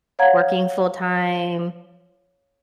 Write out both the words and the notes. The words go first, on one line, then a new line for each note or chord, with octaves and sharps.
working full time
C#5 F5 F#5 A#5 G#6